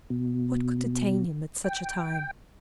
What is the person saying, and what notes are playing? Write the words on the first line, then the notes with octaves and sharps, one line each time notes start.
What could detain him at such a time?
B2
G5